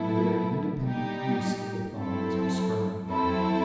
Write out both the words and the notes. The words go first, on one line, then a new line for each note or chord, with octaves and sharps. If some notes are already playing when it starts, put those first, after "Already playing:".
A very independent use of the thumb was prescribed by him.
Already playing: A2 F#3 B3 E4 A4
G3 D#4 G4
F#3 C4 E4 A4
F#3 C4 E4 A4